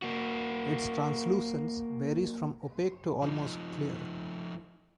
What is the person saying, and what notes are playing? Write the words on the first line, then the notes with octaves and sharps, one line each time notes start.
Its translucence varies from opaque to almost clear.
A#3 F#4
F3 D#4